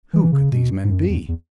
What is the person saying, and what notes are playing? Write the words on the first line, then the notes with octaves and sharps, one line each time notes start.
Who could these men be?
E3
C#3
B2
G#2
F#2
E2
E2